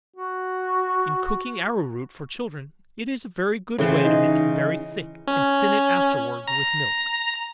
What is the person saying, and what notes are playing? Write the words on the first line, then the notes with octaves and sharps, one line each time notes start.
In cooking arrow-root for children, it is a very good way to make it very thick, and thin it afterwards with milk.
F#4
A2 C#3 E3 C5
D#4
C#4
A#5